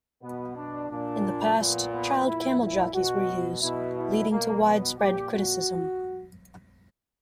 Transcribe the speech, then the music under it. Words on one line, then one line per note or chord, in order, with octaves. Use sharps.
In the past, child camel jockeys were used, leading to widespread criticism.
B2 B3
D4
A#2 D4
A#2 B3
B3
A#2 E4
E4
B2 F#4
B2 E4
E4
B2 A#3
B3
A#2 G4
F#4